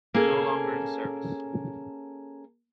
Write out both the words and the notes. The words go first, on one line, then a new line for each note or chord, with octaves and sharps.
No longer in service.
A#3 C#4 G#4 A4